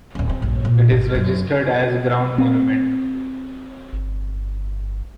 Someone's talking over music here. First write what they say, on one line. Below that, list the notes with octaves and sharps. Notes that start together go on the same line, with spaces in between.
It is registered as a ground monument.
D1 C#4
C4
A#1 G2
A#2
G#1
F#2
C4
G1